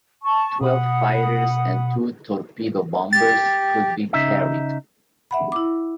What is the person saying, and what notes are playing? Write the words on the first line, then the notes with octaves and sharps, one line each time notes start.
Twelve fighters and two torpedo bombers could be carried.
A5 C#6
B2 F#5 B5 D#6
G4 A6
C#3 D#4 E5
E5 F#5 B5
E4 D6